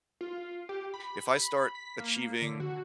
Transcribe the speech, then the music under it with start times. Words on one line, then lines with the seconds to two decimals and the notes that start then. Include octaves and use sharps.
if I start achieving
0.21 F4
0.69 G4
0.94 B5
1.75 B6
1.99 A#3
2.42 D3
2.60 F#4